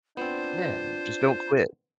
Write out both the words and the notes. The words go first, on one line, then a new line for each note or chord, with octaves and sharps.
Yeah. Just don't quit.
B3 C4 D4 F4 C5